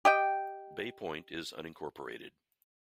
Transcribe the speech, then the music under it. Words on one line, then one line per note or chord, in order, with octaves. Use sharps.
Bay Point is unincorporated.
G4 D#5 G5